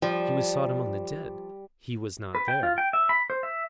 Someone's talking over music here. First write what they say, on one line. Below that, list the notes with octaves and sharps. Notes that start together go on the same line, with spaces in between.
He was sought among the dead, he was not there.
F3 G3
B4
G5
F4
G5
E5
B5
C5
E5